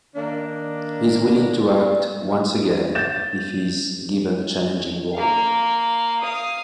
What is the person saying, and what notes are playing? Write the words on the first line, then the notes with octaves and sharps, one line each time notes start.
He is willing to act once again if he is given a challenging role.
D#3 A#3 D4
G6 A6 E7
A#3 F5
F5 D#6